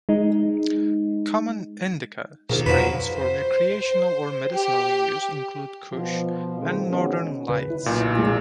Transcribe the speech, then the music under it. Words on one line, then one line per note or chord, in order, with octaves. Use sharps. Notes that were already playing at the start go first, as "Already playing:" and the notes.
Common "indica" strains for recreational or medicinal use include Kush and Northern Lights.
G#3 D#4
A#1 D#2 B2
F2 F3 F#3 B4
C5
G4
B2 F3
C3 D#3 F3 G#3 A3 C4
B2 D#3 G#3 B3 C#4
C#3 B4
E4
B1 A#2
F1 G#3